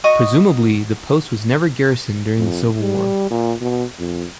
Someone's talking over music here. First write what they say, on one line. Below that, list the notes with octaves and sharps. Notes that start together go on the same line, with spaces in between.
Presumably the post was never garrisoned during the Civil War.
F#4 D#5 C#6 D#6
F2
G3
A#2
B2
F2